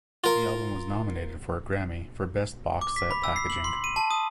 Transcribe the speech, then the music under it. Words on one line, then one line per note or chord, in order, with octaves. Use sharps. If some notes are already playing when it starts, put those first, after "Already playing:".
The album was nominated for a Grammy for Best Boxed Set Packaging.
F4 A#4
D6
B6
B5
E6
C7
F#7
C6
D#7
A5
D#6